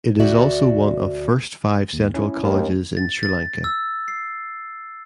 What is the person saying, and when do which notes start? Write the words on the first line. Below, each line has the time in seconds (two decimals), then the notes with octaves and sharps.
It is also one of First five Central Colleges in Sri Lanka.
0.20 D2 F#4 D5 E5
1.93 D#2
2.14 C#4 E4
2.43 D#2 A3 C#4
2.97 A6
3.23 A6
3.64 E6
4.08 C7